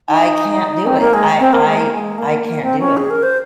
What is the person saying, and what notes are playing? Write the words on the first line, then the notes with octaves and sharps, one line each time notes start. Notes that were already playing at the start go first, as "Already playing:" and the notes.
I can't do it; I I I can't do it
D#4
C4
A#3
G#3
C4
A#3
G#3
A#3
G#3
A#3
A#3
C4
C#4
G#4
A#4
C5